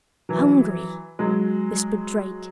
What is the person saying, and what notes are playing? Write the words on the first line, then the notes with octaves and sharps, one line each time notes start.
"Hungry!" whispered Drake.
E3 F#3
F#3 G#3